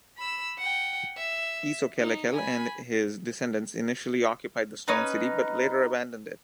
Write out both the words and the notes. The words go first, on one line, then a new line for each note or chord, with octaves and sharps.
Isokelekel and his descendants initially occupied the stone city, but later abandoned it.
B5 E6
F#5 G5
E5
D#4
G#5 B5
C#4 D#4 B4